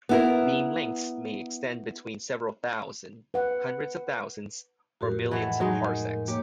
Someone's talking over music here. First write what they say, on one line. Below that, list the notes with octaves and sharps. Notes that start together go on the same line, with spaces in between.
Beam lengths may extend between several thousand, hundreds of thousands or millions of parsecs.
B3 E4 A#4
B4 F#5
F2 A2 F#4 G4 A#4
E3 A3 D#5 F#5
F#3 G#3 D#4
A#4
A#3 G4 C#5